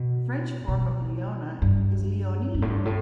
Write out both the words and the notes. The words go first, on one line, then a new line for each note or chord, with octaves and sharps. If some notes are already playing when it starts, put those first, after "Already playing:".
The French form of Leona is Leonie.
Already playing: B2
B2
G2
G2
A2
G2
A2